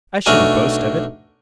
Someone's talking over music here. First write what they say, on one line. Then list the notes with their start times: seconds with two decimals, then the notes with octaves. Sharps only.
I shouldn't boast of it.
0.26 B1 A3 D4 F#4 A#4 G#5